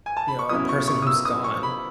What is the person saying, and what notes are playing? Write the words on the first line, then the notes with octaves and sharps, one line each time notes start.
you know, a person who's gone,
G#5
A5
B5
C#6
B1 B2 F#3 C#4 E4 D#6
C#6
C#6
D#6
E6
D#6
C#6
B5